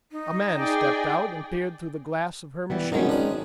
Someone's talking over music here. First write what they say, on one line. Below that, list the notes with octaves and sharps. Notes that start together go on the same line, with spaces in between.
A man stepped out and peered through the glass of her machine.
D#4
G#4 D5 G5
E3 G3 B3
G#1 F#2 B2 D#3 C#4 D#4
G#1 D4 D5